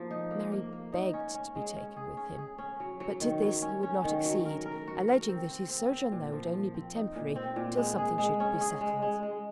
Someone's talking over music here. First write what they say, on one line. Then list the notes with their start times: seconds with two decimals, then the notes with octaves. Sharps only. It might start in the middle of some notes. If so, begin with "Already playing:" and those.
Mary begged to be taken with him, but to this he would not accede, alleging that his sojourn there would only be temporary, till something should be settled.
Already playing: F3 A#3
0.11 D#4
0.31 A#3
0.52 A#3
0.73 A#3
0.92 D#4
1.13 C#4
1.34 C#4
1.55 G#3
1.76 C#4
1.97 G#4
2.17 C#4
2.38 G#4
2.58 C#4
2.80 F#3
3.00 F#3
3.21 D#3
3.42 F#3
3.62 C#4
3.83 C#4
4.04 D#3
4.25 F#3
4.45 A#4
4.66 A#4
4.87 F#4
5.08 A#4
5.28 C4
5.49 C4
5.69 C4
5.91 C4
6.12 A#2
6.32 F3
6.53 F3
6.74 C4
6.95 D#4
7.16 A#2
7.36 C4
7.56 A#2
7.77 G#3
7.98 G#4
8.18 G#3
8.40 C#4
8.61 G#4
8.81 G#3
9.02 G#3
9.23 G#3